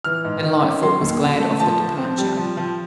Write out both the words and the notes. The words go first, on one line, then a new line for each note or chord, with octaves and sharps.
And Lightfoot was glad of the departure.
E3 F6
G#2
D#3
C#4
F#3 C6
D#2
C#3
A3
F3 A5
F3
C4
G3
F3
F3